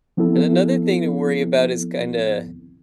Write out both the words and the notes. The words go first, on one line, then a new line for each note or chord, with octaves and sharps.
And another thing to worry about is, kinda,
F3 B3 C4 E4 A4